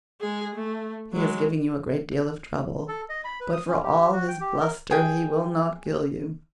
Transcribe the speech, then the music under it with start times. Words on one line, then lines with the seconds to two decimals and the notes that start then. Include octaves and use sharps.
He is giving you a great deal of trouble, but for all his bluster he will not kill you.
0.21 G#3 G#4
0.55 A3
1.13 F#3 G#3
2.88 A4
3.09 D#5
3.25 B5
3.41 B4
3.53 D#6
3.68 C#4
3.84 G4
4.13 F#4
4.28 G5
4.40 G4
4.61 A#4
4.91 G#4 G5